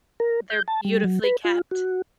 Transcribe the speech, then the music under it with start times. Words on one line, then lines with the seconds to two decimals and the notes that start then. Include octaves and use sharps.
They're beautifully kept.
0.20 A#4
0.50 G6
0.68 A5
0.85 G3
1.04 F#3
1.24 B4
1.45 F4
1.71 F#4